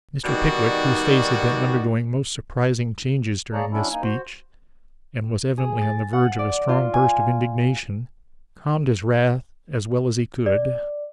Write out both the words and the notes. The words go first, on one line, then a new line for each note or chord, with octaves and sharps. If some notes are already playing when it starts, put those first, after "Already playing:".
Mr. Pickwick, whose face had been undergoing most surprising changes during this speech, and was evidently on the verge of a strong burst of indignation, calmed his wrath as well as he could.
B2 D#3 G3 D#4 F#4 D5
A#3 G#4 C#5 D5 A5 A#5
F#3 C#4 D4 E4
A#3 D#4 G#5
F#4 C5
G#4
A6
F#5
D5
F4
G#5
D5